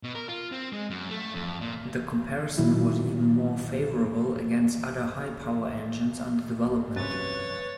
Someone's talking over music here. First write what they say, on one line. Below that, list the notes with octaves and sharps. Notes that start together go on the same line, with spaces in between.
The comparison was even more favourable against other high-power engines under development.
B2
A#4
F4
C4
G#3
F#2
A3
F2
A#2
A#2 D#3 F#3 E4
F#2 C3 B4 C#5 A6